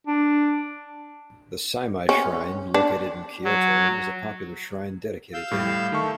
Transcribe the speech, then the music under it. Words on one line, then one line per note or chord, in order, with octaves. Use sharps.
The Seimei Shrine, located in Kyoto, is a popular shrine dedicated to him.
D4
C#4
D4
F#3
F5 E6 G6
A2 G3
D#3 A3 C#6